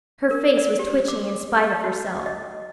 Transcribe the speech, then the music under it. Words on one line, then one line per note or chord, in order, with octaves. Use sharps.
Her face was twitching in spite of herself.
A#4
D5
G4
D6
F#4
D#5